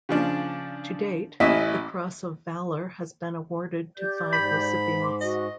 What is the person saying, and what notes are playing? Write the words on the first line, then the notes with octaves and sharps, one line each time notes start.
To date, the Cross of Valour has been awarded to five recipients.
C#3 F3 D4
A1 C#4 E4 D#5 E5
G4 D5 G6
G#2 B5
C6 D6
F#4 D#5